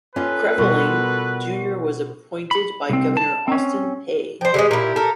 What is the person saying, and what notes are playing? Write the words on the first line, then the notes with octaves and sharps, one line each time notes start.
Creveling, Junior was appointed by Governor Austin Peay.
C#4 F4 G4 A4 B4
B2 G3 B3 F4 F#4 A#4 C5
B5
C2 C4
A5
C4 C#4
F3 C5 G5
D3 E3 G#3 G4
A#2 E4
A4 A#4